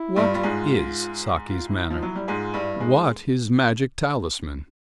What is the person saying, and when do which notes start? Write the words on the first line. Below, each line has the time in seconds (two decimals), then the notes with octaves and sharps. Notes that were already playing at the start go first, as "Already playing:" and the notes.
What is Saki's manner, what his magic talisman?
Already playing: E4
0.16 G2 G3
0.30 G3 F4
0.43 G#2 G#3
1.48 F4
1.68 E4
1.88 F3 D#4
2.02 F#3
2.08 E4
2.15 G3
2.28 G#2 G#3 F4
2.54 G2 G3 E4
2.80 G#3 D#4